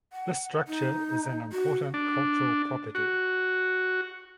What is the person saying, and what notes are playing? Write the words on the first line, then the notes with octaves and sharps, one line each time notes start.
This structure is an Important Cultural Property.
F#5
D#4
F#4
D4
F#4